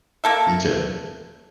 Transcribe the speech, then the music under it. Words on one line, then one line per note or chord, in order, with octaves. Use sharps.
You too.
A#3 A4 E5